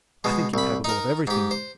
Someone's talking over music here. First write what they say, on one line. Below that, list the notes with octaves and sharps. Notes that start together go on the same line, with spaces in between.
"I think him capable of everything."
B2 G#3
C2 B5
D#4 A#4
G#2 G4
C5